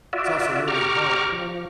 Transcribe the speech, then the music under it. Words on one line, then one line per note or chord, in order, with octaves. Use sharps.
It's also really hard.
F4 F#4 D5 E5
G4 A#5 C#6 D6 F6
F3